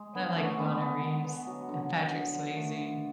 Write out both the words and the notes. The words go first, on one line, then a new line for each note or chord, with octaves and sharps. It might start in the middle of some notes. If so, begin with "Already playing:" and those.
But I like Keanu Reeves and Patrick Swayze.
Already playing: G#3
D3 B3
D4
D3 A3 C#4
G#3 B3 D4
D3 B3
G#3
D3 B3
F#3
D3
D3
D3
D3
A3
D3